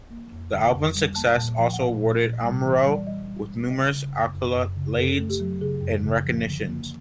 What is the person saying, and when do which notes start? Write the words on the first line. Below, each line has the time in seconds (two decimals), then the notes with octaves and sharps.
The album's success also awarded Amuro with numerous accolades and recognition.
0.10 A#3
0.32 F2
0.52 D3
0.74 F2
0.95 G3
1.16 A#3 A5
1.37 A#2 A5
1.58 F3 G5
1.73 F#5
1.79 A#2 F5
2.00 A#2
2.22 A#2
2.44 G3
2.64 E3
2.86 G3
2.95 D5
3.07 G3 D#5
3.28 G3
3.49 G3
3.70 C#3 D#5
3.91 C#3
4.13 F#2
4.33 F#2
4.55 F#2
4.76 C#3
4.97 F#2 A4
5.19 A3
5.30 G4
5.40 F#3
5.61 C#3 G#4
5.82 F#2
6.03 C#3
6.24 F3
6.46 D3
6.67 A#3